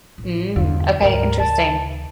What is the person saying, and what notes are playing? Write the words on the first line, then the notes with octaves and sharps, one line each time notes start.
Mm. Okay, interesting.
A1
E2 G2 D3 F4
D2 G#2 F#3 A#4
C#3 A5